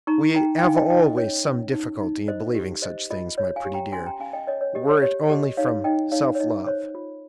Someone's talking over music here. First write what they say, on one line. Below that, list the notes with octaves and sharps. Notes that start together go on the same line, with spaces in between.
"We have always some difficulty in believing such things, my pretty dear, were it only from self-love."
D#4 A#5 C#6
D#4 G5 A#5
G5
D#4 F5 G#5
D#5 G5
D#4 D#5 G5
D#5
C#4 C#5
C#4
D#4
D#4
C5 D#5
G4
C5 D#5
F4 D#5
C#5
F5 G#5
G4
G5 A#5
C#4 G#5 C6
G5 A#5
C#4 F5 G#5
D#5 G5
C#5 D#5
C#5
G4 D#5
C#5
G4 C#5
G4 D#5
D#4 C#5 F5
D#4 D#5 G5
D#4 C#5 F5
C#5
D#4 D#5
C5 C#5
F4